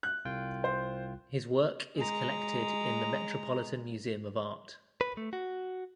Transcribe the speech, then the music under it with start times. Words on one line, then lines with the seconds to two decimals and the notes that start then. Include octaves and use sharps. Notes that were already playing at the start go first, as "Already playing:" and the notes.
His work is collected in the Metropolitan Museum of Art.
0.03 F#6
0.25 C2 F4 G5
0.64 C5
1.96 G#3 A#5
5.01 B4
5.17 A3
5.33 F#4